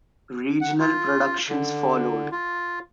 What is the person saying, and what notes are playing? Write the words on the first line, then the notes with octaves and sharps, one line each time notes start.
Regional productions followed.
F#5
F4
D3
F4